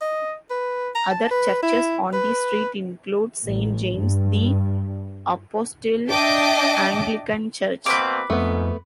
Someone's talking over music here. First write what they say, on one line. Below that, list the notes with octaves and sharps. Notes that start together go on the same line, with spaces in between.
Other churches on the street include Saint James the Apostle Anglican Church.
D#5
B4
A#5
A5
B4
E4
B4
A1
G2
D4 D#5 E5 G5 A5 D6
B2 A#3 C4 B4 D6
F2 G#2 A3 B3